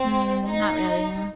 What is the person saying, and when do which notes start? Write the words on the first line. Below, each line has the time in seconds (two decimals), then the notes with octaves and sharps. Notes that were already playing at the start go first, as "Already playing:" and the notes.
Mm, not really, yeah.
Already playing: C4
0.45 D#4